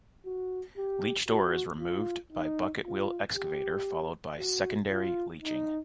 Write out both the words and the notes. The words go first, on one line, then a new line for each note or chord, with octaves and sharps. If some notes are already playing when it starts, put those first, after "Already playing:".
Leached ore is removed by bucket wheel excavator followed by secondary leaching.
F#4
G4
F#4
F4
D#4
F4
G4
F#4
F4
D#4